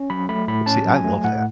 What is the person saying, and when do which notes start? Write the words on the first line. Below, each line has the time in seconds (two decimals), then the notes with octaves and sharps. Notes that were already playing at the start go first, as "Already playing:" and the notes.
See, I love that.
Already playing: C#4
0.10 F#3 B5
0.29 A3 B5
0.48 A2 B5
0.66 C#4 A5
0.85 F#3
0.95 G#5
1.05 A3
1.24 A2 F#5